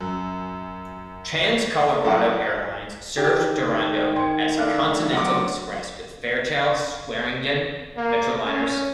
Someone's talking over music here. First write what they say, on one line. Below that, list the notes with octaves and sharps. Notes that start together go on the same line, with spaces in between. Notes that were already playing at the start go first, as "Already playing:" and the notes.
Trans-Colorado Airlines served Durango as Continental Express with Fairchild Swearingen Metroliners.
F#2
C7
F#3 E4 A4
D#3 D#4 G4 G#4
G5 C6 G#6 C#7
A3 D4 E4 F5 F#6
F#3 F#5 C6 D6
A#3
C#4